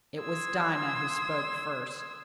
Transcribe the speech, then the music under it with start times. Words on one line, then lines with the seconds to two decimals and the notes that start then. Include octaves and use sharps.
It was Dinah who spoke first.
0.20 C6 D#6 E6 G#6